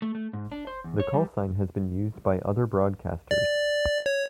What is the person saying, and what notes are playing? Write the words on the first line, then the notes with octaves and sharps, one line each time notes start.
The call sign has been used by other broadcasters.
A3
A3
G#2
D4
C5
E2
C#5
G3
D5
C#5